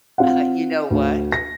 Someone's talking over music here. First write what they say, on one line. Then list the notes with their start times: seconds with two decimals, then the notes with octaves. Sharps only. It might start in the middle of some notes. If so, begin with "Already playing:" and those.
Uh-huh you know what?
0.18 C4 F4 F5 F#5
0.90 D2
1.32 A#6